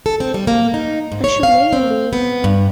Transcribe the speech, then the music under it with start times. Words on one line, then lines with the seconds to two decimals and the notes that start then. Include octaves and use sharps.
I should make a move.
0.06 A4
0.20 C4
0.34 G3
0.47 A#3
0.74 D#4
1.12 G#2
1.24 C#5
1.43 F5
1.73 C4
2.13 B3
2.44 G2